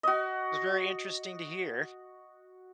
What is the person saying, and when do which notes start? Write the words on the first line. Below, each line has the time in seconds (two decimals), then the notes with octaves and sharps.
it was very interesting to hear.
0.03 F#4 D#5